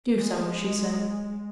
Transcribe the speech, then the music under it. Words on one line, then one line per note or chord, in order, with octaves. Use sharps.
"Do so," she said.
G#3